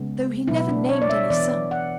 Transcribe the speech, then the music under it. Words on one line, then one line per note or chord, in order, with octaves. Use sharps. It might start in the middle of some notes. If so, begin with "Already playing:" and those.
Though he never named any sum.
Already playing: C#3 G#3 B3
B2 F#3 B3 E4
D4
C#5
D5
E5
E3 B3 D5
F#5